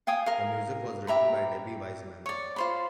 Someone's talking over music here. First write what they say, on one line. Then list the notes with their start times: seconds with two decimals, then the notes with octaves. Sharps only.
The music was written by Debbie Wiseman.
0.07 F5 G5 G#5 D#6
0.26 A#4 F5
1.07 G4 E5 A#5 B5
2.26 C#5 D5
2.56 F4 C5 B5